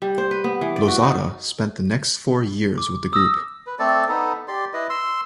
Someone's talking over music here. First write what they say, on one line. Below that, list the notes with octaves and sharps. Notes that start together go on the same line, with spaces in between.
Lozada spent the next four years with the group.
G3
C5
B4
B3
E3
D5
F#4
D#4
D6
D#6 E6 A#6
B4
A3 C4 A4 D5
B3 D#4 A4
G4 D5 C6
E4 B4 D#5
C6 E6